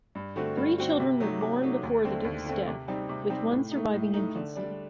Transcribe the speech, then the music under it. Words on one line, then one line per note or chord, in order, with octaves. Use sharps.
Three children were born before the duke's death, with one surviving infancy.
G2
D3 A3 C4 F#4
G2
D3 A3 C4 F#4
C3
F#3 A3 D#4
C3
F#3 A3 D#4
D#2
D3 A3 C4
D#2
D3 A3 C4
C3
G3 C4 D#4
C3
G3 C4 D#4
A2
A3 D#4
A2
A3 D#4
D3
G3 D4